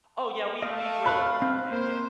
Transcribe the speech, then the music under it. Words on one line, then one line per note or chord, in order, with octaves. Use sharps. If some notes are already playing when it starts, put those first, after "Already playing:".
Oh, yeah, we we grill it beforehand, yeah.
A3 D#5 F5
B5 F#6
C4
A#3 C5